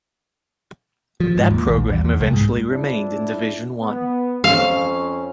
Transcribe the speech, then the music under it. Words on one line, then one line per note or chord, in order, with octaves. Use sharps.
That program eventually remained in Division One.
F3
G#2
D#2
A#1
E2
E2
C2
G#2
F2 D4 E4
B3
F2 C#4 C5 F5